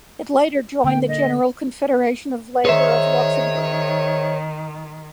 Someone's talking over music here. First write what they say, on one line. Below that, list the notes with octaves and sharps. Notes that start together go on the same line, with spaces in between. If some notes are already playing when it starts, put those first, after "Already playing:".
It later joined the General Confederation of Labour of Luxembourg.
D3 A#3 G5
D#5
D#3 G#4 C5 C#5 E5